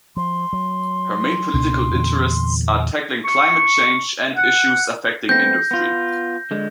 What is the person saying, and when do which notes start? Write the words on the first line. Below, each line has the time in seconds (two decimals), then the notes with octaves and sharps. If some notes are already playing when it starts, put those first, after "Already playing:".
Her main political interests are tackling climate change and issues affecting industry.
0.17 F3 C6
0.53 F#3
1.54 C#2 B2 D4
1.94 E2 A#2 D3
3.24 C#6
4.36 F#5
5.29 A3 B3 C4 G6 A#6
5.71 B3 F4
6.51 D3 G#3